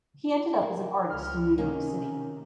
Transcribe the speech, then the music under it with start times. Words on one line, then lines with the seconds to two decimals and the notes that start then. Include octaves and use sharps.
He ended up as an artist in New York City.
0.62 A#3
1.10 C#2 F3 F6
1.58 C3 D#3 A#3 C#4 D#4